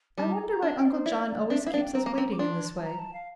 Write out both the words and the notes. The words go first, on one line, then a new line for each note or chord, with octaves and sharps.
"I wonder why Uncle John always keeps us waiting in this way?"
G3 A5
A5
A#5
A#5
D4 A5
G5
D5
C5
E4 D5
D5
D4 E5
E4 F5
D4
G5
C4 A#5
A#3
C4
D6
D4 C6
A5
A#5
A5
F5